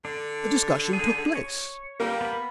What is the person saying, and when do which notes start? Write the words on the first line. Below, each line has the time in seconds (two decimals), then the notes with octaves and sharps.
The discussion took place.
0.05 D3 D4
0.93 G#4
1.36 C#5
2.00 G3 A#3
2.21 B3 B5